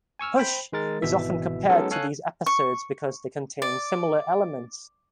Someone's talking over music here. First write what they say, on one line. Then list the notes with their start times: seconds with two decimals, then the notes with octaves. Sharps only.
"Hush" is often compared to these episodes because they contain similar elements.
0.19 G#5 C#6 E6 F6
0.36 C5 G5 B5
0.73 D#3 G#3 A#4 A6
1.02 G#1 B2 E3 E5
1.69 F#3 G#3 B3 C#4 D#4 A4
1.91 A4 C#5 F5 G#5 F#6
2.46 C#6
3.62 D5